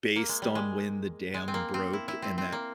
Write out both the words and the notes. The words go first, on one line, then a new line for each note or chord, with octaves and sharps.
based on when the dam broke and that
A#3
G#3
G3
G#3
G#3
C4
A#3
C4
E4
E4
C4
C4
A#3